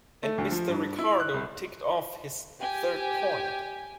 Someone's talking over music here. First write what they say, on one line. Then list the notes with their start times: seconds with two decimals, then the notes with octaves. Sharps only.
And Mr. Ricardo ticked off his third point.
0.23 A3
0.38 D2
0.51 F3
0.68 G2
0.99 E4
1.20 F#6
1.34 C2
2.59 G4 G#5